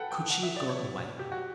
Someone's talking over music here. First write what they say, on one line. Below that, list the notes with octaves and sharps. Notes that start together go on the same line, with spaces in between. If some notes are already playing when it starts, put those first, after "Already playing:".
Could she have gone away?
Already playing: A4 B4 F#5 G5
G5
F#5
E5
D5
C#5
G4
F#4